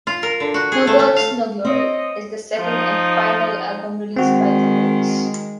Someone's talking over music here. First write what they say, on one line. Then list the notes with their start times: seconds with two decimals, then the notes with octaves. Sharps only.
"No Goats, No Glory" is the second and final album released by The Goats.
0.07 F4
0.23 A#4
0.40 D3
0.54 F#4
0.72 G#4
0.87 A3
0.99 A3
1.17 F5
1.65 C4 C#5 D#5
2.58 F3 D#4
4.16 D#3 G#3 C4 F#4